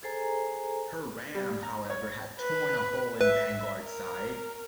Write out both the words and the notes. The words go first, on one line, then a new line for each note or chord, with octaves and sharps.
Her ram, however, had torn a hole in "Vanguard"s side.
G#4 A4 C5 G#5 A#5
G3
A#5
C#5
B4
B4 E5
A#4